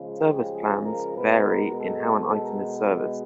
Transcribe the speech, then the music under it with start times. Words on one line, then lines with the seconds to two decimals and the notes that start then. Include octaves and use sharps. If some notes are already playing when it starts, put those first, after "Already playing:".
Service plans vary in how an item is serviced.
Already playing: C#3 F3 G#3
0.21 G4
0.53 G#4
0.85 A#4
1.16 B2 G#3 B4
1.48 A#4
1.81 A4
2.12 A4
2.44 A#4
2.76 B4